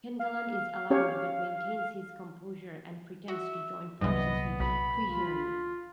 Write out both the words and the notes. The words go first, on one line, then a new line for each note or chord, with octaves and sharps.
Pengallan is alarmed, but maintains his composure and pretends to join forces with Trehearne.
F5
C#4 G4 C#5
F#4 E5
C2 G2 A#2 E3 F#3 B3 D#5
B1 B5
F4